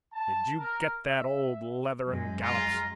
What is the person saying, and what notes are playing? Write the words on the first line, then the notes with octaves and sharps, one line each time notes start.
Did you get that, old Leather-and-Gallops?'
A5
A#4
E5
F#2 G#3
F4 A#5